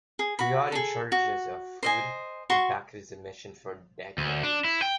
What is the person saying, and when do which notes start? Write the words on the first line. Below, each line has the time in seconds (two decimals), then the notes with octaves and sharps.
Periodic shortages of food impacted the mission for decades.
0.19 G#4
0.39 F#4 B5
0.72 G#4 A4
1.12 F#4
1.83 C5 D#5 G#5
2.50 F#4 C6 C#6
4.18 D2
4.43 D4
4.64 E4
4.82 G5